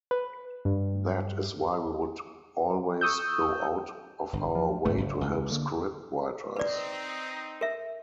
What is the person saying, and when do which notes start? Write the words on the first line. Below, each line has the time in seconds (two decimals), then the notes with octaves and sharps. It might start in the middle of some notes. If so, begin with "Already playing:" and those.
That is why we would always go out of our way to help scriptwriters.
0.11 B4
0.65 G2
3.01 C#6 D#6 E6 G6
4.33 G1
4.55 F3
4.85 F#1 G#2 A3
4.97 F#1
5.21 C#2
5.50 D3 A#3
6.56 C4 D#4 B4 D5
7.61 A#4 E5